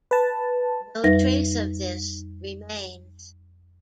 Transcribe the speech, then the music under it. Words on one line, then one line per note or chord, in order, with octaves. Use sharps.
No trace of this remains.
B4 A5
F2 G3 D#4 B4 E5 A#6